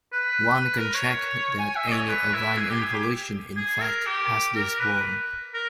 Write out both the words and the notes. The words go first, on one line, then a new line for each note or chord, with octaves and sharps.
One can check that any affine involution in fact has this form.
B4
B4
A#4
C#5
G#5
E5
D#5
C#5
B4
E4
G#4
G4
G#4
G4
G#4
A#4
G4
A#4
B4
A#4